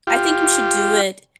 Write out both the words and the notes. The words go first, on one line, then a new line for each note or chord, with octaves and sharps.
I think you should do it,
F4 G4